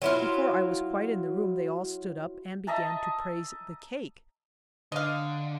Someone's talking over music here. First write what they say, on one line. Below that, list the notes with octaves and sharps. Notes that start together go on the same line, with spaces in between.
Before I was quite in the room they all stood up and began to praise the cake.
F#3 E4 F4
D#5 E5 A5 A#5
D3 D#5 F5